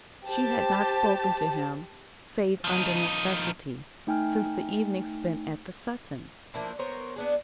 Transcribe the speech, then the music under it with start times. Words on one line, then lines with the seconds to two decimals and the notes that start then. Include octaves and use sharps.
She had not spoken to him, save under necessity, since the evening spent at the Suttons'.
0.26 G4 C5 A5
2.64 F3 D#4
4.07 A3 D#4 G5 G#5 F6
6.54 F3 A#3 D4 E4
6.79 B3 A#4 C5 C#5
7.16 B3 D4 G#4